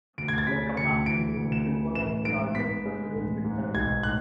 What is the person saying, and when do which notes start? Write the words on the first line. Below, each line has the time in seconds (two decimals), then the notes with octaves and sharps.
By capacity, it is one of the largest churches in Saxony.
0.18 D2 D7
0.28 G#6
0.38 A6
0.47 C#3 B6
0.77 D2 C#7
1.06 E3 D7
1.37 D2
1.52 E7
1.66 C#3
1.95 A1 E7
2.25 G#2 D7
2.55 B3 B6
2.85 G#3
3.15 A1
3.45 G#2
3.74 B1 G#6
4.03 A2 F#6